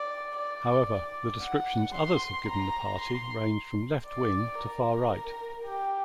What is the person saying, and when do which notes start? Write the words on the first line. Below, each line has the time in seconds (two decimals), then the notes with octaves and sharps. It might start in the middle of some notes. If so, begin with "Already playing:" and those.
However, the descriptions others have given the party range from left-wing to far-right.
Already playing: D5
0.37 D5
0.90 D5
1.43 F#5
1.95 C6
2.49 A#5
3.01 C6
4.07 D5
4.59 A#4
5.65 G4